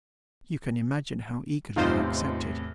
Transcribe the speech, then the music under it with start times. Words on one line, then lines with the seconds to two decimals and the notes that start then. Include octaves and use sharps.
You can imagine how eagerly I accepted.
1.76 E2 A2 C3 D#4 F4 C5